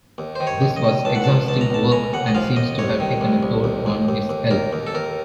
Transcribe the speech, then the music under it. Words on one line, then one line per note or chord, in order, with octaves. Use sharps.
This was exhausting work and seems to have taken a toll on his health.
D#2
D#3 C5
C#5
D#2
D#5
D#3
C#2 A5
F#5
F3 A5
C#2 A5
A#5
C#2 A5
C#3 A#5
D#2 F#5
D#5
F3 F5
D#2 D#5
C2 C#5
D#3
C2
C2
D#2
D#2
D#2
D#2
D#2 A#4
D#2
A4
D#2 A#4